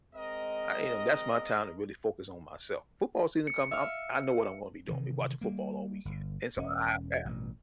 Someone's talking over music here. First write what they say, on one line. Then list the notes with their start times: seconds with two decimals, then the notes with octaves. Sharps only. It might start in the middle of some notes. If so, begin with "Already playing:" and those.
I you know, that's my time to really focus on myself. Football season come, I'm I know what I'm gonna be doing, be watching football all weekend and so, I Yeah,
0.14 G#3 C4 A#4 D#5
3.47 C#7
3.71 E5 F5 F6
4.88 C3 D#3 E3
5.41 G3 A#3
6.05 G1
6.57 E1 C#4
7.25 A1 G2 B2